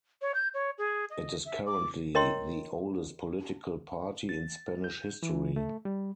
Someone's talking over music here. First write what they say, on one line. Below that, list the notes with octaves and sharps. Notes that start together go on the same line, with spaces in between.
It is the currently the oldest political party in Spanish history.
C#5
G6
C#5
G#4
D#5
E5
D6
A#4 C#5 D#5 G5 A#5 C6
A6
G6
E3
A3
G3